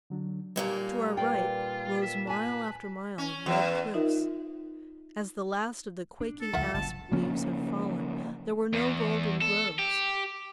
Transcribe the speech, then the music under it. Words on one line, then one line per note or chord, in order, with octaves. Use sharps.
To our right rose mile after mile of red cliffs. As the last of the quaking asp leaves have fallen, there were no golden groves.
D3 F#3 D4
D#2 A#2 G3 A#3
F4 B4 D5 G5
E5
B4 G#5 A5
C#4
E2
D#4 F4 A#4 D#5 E5
D4
A4
C#2 F3 F4 E5 F#5
F#1 F#2 A5
C#3 F3 A#3 C#4
E2
A4
G4